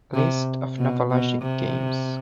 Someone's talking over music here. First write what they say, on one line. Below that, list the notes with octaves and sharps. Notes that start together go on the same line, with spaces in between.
List of NovaLogic games.
C3
B2
B2
C3